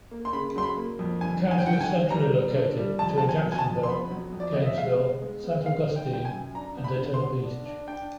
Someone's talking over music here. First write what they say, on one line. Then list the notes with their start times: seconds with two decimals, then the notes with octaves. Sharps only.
The county is centrally located between Jacksonville, Gainesville, Saint Augustine, and Daytona Beach.
0.11 A#3
0.25 C6
0.33 C#3 B5
0.56 F#3 C6
0.63 B5
0.77 A#3
0.99 F2
1.21 G2 G#5
1.44 D#3
1.51 G#5
1.58 G5
1.66 G2 F#5
1.73 G5
1.81 G#5
1.88 D#3
2.10 G3 A#5
2.33 G3
2.55 G2
2.77 G3
2.99 F2 A5
3.18 B3 A5
3.29 G#5
3.44 F#3
3.52 G#5
3.59 A5
3.66 F2
3.83 C6
3.88 B3 B5
4.10 F#3
4.33 F2
4.40 D5
4.53 B3 D#5
4.65 E5
4.77 G#3 F5
4.99 B3
5.22 G#3
5.44 B3
5.66 D#3 F5
5.88 D#3
5.96 G5
6.10 F#2 G5
6.25 G#5
6.33 F#2
6.54 D4 A#5
6.77 B3
6.84 B5
6.99 D3
7.14 C6
7.22 B3
7.43 D4
7.66 D4
7.87 D4 G5